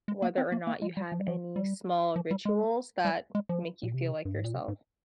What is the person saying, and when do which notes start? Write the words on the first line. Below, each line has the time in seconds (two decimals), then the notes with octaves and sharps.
whether or not you have any small rituals that make you feel like yourself.
0.08 G#3
0.22 A#3
0.38 C4
0.52 A#3
0.67 A#3
0.82 G#3
0.97 G3
1.12 F3
1.19 G3
1.28 F3
1.56 G3
2.16 F3
2.31 G3
2.45 G#3
3.05 G3
3.35 G#3
3.49 F3
3.83 A#2
3.94 C3
4.25 G2
4.35 G#2
4.44 A#2
4.54 C3
4.68 G#2